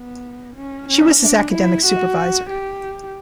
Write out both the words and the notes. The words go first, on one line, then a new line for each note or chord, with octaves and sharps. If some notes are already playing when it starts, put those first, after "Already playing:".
She was his academic supervisor.
Already playing: B3
C#4
C#4
D4
E4
F#4
G4